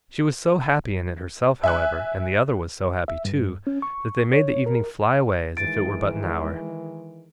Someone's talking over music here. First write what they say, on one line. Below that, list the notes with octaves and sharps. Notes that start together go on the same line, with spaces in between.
She was so happy in it herself, however, and the other was so happy too, that they made the evening fly away as if it were but an hour.
E5 G#5 F#6
E5
G2
C#4
C#6
C#5
A#4
D#3 E3 G#3 A6 D7